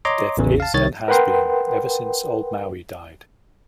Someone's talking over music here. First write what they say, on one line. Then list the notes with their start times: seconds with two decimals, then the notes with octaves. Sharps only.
Death is and has been ever since old Maui died.
0.05 C#5 D#5 A#5 C6 D6
0.37 A1 E2 C#3 E3
0.60 F5 A5
0.74 C2 D#3 C#5 A6
1.08 A#4 B4 F#5 G5 C6